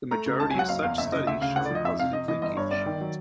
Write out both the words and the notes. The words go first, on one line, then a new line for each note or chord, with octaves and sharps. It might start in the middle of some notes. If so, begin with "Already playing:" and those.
The majority of such studies show a positive linkage.
A3 A#5
C#3
C#2 A5
G#5
F#3 F#5
F#1 F5
E2 F5
F#1 E5
C#3 D#5
D2 E5
C#3 F5
D2 F#5
D5
F3 D#5
F2 E5
C3 F5
F2 D#5
E3 D#5
G1 D#5
G2 C#5
G1 D5
D#3
F#3